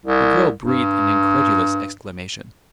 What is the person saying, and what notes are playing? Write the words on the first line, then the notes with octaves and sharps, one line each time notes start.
The girl breathed an incredulous exclamation.
C2
G2